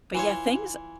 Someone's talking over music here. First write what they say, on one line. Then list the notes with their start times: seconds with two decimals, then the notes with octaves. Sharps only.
but, yeah, things
0.15 E3 F4 C#5